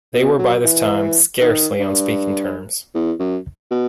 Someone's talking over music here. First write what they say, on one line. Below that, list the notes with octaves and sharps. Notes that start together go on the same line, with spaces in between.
They were by this time scarcely on speaking terms.
B2
F#3
E3
D#3
G2
E2
F#2
B2